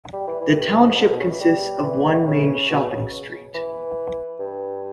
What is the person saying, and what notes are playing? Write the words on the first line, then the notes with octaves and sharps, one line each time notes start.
The township consists of one main shopping street.
G3
E3
E3
G2
G#2
A#2
B2
C#3
E3
G3
E3
C#3
B2
C#3
E3
G2